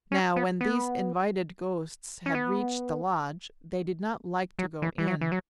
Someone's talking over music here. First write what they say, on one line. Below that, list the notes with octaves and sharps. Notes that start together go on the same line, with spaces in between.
Now when these invited ghosts had reached the lodge they did not like to go in.
C#4
B3
B3
C#4
B3
F#3
E3
E3
F#3
E3
F#3